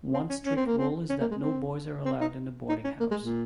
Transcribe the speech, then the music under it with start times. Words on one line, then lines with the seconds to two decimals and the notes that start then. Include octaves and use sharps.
One strict rule is that no boys are allowed in the boarding house.
0.14 C4
0.29 C#4
0.45 C#4
0.56 C4
0.66 A#3
0.77 C4
1.09 C#4
1.20 A#3
1.31 G#3
1.41 C4
2.05 C4
2.21 D#4
2.69 D#4
2.84 C#4
3.00 A#3
3.11 G#3
3.22 A#2